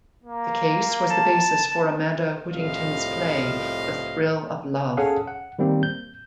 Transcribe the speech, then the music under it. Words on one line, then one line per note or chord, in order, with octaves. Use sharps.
The case was the basis for Amanda Whittington's play "The Thrill of Love".
A#3
A5
C2 A2 F3 D#5 F5
C#4 G#4 A4 F5 F#5
F#5
D#3 G3 A#3 C4
G6